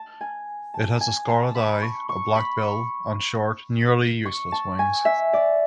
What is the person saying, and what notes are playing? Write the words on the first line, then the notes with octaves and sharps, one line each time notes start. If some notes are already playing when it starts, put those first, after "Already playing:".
It has a scarlet eye, a black bill, and short, nearly useless wings.
Already playing: A5
G#5
A5
G#5
A5
B5
C#6
C#6
B5
C#6
C#6
A5
G#5
E5
D5